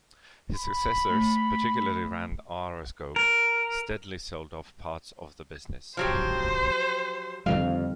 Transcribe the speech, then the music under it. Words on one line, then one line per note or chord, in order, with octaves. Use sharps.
His successors, particularly Rand Araskog, steadily sold off parts of the business.
B5
A3
A#4
F3 F#3 G4 C5
F2 D3 D#3 G3 F5